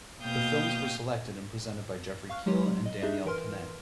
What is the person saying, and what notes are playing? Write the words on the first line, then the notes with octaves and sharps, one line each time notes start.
The films were selected and presented by Jeffrey Keil and Danielle Pinet.
B2 A#3 F5 G5 D#6 G6
F5 C#6 F6 F#6
F#3 G#3 G4 C#5 C6
D#5
D4 D#4 G4 G#4 D#5 E5
E3 A#4 B4 C6 F6